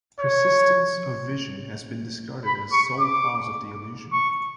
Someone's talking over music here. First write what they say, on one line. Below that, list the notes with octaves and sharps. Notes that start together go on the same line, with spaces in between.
Persistence of vision has been discarded as sole cause of the illusion.
C#5
B5
C#6
D6
C#6